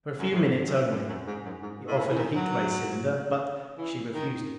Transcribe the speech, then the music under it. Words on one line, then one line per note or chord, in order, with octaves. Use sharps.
"For a few minutes only." He proffered a heat ray cylinder but she refused it.
F#2
A2
G#2
A2
F#2
F#2
G#2
F#2
G#2
A2
B2
E3
D#3
F#3
E3
D#3